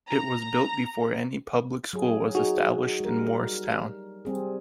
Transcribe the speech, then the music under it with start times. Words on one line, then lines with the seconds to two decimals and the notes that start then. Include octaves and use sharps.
It was built before any public school was established in Moorestown.
0.11 A#5
1.93 F#3 G#4
2.35 D#4 F#4 G#4
3.00 G3 A#4
4.25 G3 C4 G#4